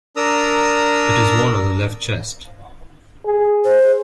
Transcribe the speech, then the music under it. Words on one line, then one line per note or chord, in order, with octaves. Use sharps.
It is worn on the left chest.
D4 A#4 A#5 D#6 E6
G#4
C5